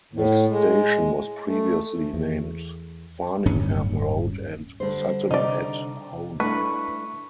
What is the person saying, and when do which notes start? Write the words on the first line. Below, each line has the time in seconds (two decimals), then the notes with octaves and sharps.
The station was previously named Farningham Road and Sutton-at-Hone.
0.13 A2
0.48 G#3
1.45 A3
2.13 E2
3.45 D1 G2 C#4
4.80 D3 G3 C5
5.31 C3 D#4 D5
6.40 A3 D4 E4 B4 C#6